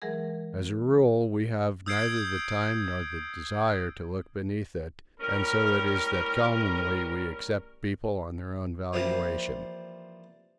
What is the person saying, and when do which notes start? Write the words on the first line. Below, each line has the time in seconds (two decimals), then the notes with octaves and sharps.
As a rule we have neither the time nor the desire to look beneath it, and so it is that commonly we accept people on their own valuation.
0.02 E3 F#3 G#3 G#4 A#4
1.86 D#6 E6 G6 G#6 C7 D7
5.20 A2 G3 C#4 A#4
8.93 E3 F3 G3 A#3 C4